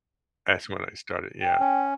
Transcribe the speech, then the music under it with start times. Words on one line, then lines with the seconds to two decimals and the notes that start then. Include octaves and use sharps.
as when I started, yeah.
1.42 G5
1.60 C#4